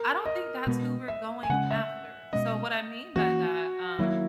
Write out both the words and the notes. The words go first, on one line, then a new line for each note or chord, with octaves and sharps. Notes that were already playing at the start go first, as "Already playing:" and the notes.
I don't think that's who we're going after. So what I mean by that, um,
Already playing: A#4
D#5
B2 G#3 B3
E5
G#5
C#3 G#3 C#4 F#5
E5
B2 G#3 C#4 D#5
E3 A#3 C#4 F#4
D#3 F#3 A#3 E4